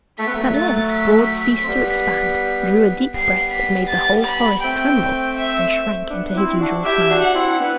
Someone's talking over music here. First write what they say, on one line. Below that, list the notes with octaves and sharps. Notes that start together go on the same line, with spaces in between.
At length Broad ceased to expand, drew a deep breath that made the whole forest tremble, and shrank into his usual size.
A3 B6
B3
F#3 A3
A6
B6
C4
G3 B3
G3 B3 C7
B6
A6
B5
A3 C4 G5
E5
B3 D4
C4 E4
D4 F#4
E4 G4 E5
E4
D4 F#4
F#5
C4 E4
E4
B3 D4